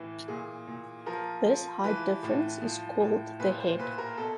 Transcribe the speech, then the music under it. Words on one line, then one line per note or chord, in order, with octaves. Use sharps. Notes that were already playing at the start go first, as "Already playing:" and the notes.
This height difference is called the head.
Already playing: A2 E3
A#2 G#4
A#2
F3 A#4
F3
E3 B4
A2
F3
A2
A#2 B4
C5
A#2 B4
A#4
B2 A4